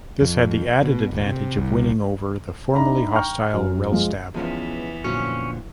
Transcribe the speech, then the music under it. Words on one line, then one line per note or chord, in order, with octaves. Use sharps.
This had the added advantage of winning over the formerly hostile Rellstab.
F2
B2
D#1
C3
C2
D4 D#4 E5 A#5 B5
G5 A#5 C#6 F6
F#2
F3 G#3
E2 E3 F3 G#3 B3 C#4
F2 A#2 D3 F#3 C#4